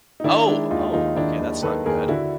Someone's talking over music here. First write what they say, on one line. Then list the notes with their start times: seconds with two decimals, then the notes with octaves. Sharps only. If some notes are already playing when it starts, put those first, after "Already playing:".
Oh! Oh, okay. That's not good.
0.20 D#4
0.24 D#3 D4 E4
0.47 G#3 D4 E4
0.71 D#2 D#4 F4
0.93 D#2 D#4 F4
1.16 D#3 D4 E4
1.40 D#2
1.62 D#3 A4 B4
1.86 D#2 G#4 A#4
2.08 D3 E4 F#4